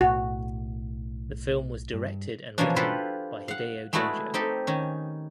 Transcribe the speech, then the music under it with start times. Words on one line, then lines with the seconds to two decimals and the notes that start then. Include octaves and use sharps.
The film was directed and written by Hideo Jojo.
0.01 B1 A2 F#4
1.94 G2
2.58 B2 E3 F3 A#3 C#4 D4
2.76 E4 F4 G4 A4 B4 C5
3.48 F5 F#5
3.93 G#3 A3 B3 E4 F#4 D5
4.34 C4 D#4 G4 A4
4.67 D#3 C#4